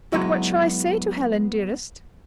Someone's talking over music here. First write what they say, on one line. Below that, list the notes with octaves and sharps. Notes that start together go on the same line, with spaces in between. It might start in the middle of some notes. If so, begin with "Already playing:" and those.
"But what shall I say to Helen, dearest?"
F#3 G#3 B3 E4 F#4